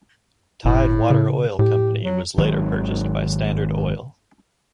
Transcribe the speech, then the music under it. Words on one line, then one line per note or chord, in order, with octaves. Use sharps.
Tide Water Oil Company was later purchased by Standard Oil.
G1 A2
C#3
A2 G4
F#3
G#1 D#3 F#3